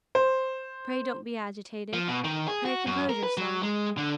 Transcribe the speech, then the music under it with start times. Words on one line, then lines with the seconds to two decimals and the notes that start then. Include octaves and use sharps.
Pray don't be agitated! pray compose yourself!
0.15 C5
1.93 F3
2.08 B2
2.24 D#3
2.48 G#4
2.65 F#4
2.86 F#2
3.09 A#4
3.23 B4
3.37 F#3
3.63 G#3
3.97 D3